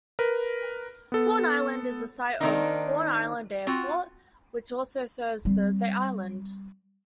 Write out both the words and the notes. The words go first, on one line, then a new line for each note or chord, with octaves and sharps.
Horn Island is the site of Horn Island Airport, which also serves Thursday Island.
A#4 B4
B3 A4
D#3 A#3 C4 D4 D#4
C4 F4 F#4
G3 C4